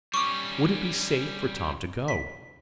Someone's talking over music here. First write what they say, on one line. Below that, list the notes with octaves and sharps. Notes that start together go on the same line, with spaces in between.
Would it be safe for Tom to go?
G3 C#4 C#6 D6
B6